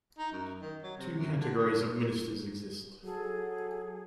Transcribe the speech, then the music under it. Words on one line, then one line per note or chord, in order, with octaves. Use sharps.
Two categories of ministers exist.
D#4
F#2
D#3
F#3
C3
F#2
D3
A2
F#3 G#4 A4